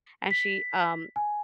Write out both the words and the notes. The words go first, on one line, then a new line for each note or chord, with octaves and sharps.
and she, um,
B6
G#5